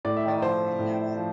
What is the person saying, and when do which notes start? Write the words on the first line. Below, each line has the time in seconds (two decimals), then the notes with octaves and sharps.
Oh, I know.
0.05 A2 D5
0.17 E5
0.28 D5
0.42 F3 C5
0.79 A2
1.17 F3